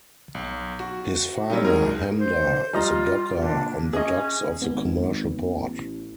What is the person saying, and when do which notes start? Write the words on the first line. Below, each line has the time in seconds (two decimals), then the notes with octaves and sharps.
His father Hamda is a docker on the docks of the commercial port.
0.35 B1
0.80 F#4
1.50 F#3 G3 D#4
1.65 G#2 G#4 A#4
2.19 C5
2.73 G3 F4 D#5 A#5
3.42 A#2 D4
3.93 C#4 G#4 D#5
4.62 G#1 B3
5.55 A1